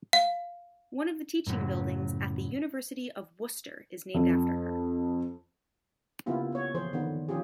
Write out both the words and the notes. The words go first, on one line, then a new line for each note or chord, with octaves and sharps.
One of the teaching buildings at the University of Worcester is named after her.
F5
F#2 A2 C#3 F#3
F2
C#3 A#3 B3 E4 F4 G4
B3 C#5
E3 F3 G#4 C5
D3 D#3 B3 D#4
F3 C#4 F4 G4 G#4